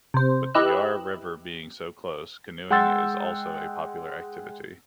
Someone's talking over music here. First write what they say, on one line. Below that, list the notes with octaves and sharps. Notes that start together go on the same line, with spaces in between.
With the Yarra River being so close, canoeing is also a popular activity.
C3 C5
E4 G4 B4 D#5 E6 F#6
G#3 F#5 G5 C6 E6 A6